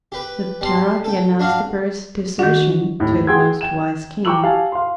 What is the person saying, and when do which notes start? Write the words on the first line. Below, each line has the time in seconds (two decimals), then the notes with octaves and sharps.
With terror he announced the bird's desertion to the most wise King.
0.12 G4 B4
0.61 G3 A5 C6
1.04 A4 G5
1.39 D4 F#4 F5 F#5
2.39 D#3 D4 F#4
2.99 D#2 A2
3.27 G#4 F#5 G5 C6 E6 G#6
3.61 G5 E7
4.25 G5 A#5 C#6 D6 E6 F#7
4.43 G4 F5 G#5 A5
4.72 F5 C6